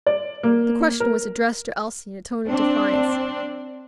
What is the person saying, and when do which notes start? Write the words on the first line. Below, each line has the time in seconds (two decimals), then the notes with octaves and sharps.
The question was addressed to Elsie in a tone of defiance.
0.06 D5
0.43 A#3
1.00 A#4
2.46 C4 D4